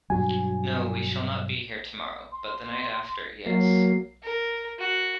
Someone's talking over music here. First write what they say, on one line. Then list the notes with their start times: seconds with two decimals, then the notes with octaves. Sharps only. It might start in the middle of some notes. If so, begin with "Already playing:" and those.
No, we shall not be here tomorrow; but the night after — yes.
0.10 G2 B2 F#3 F#4 G#5
2.32 C6
3.46 F#3 A#3 C7
4.23 A#4
4.79 F#4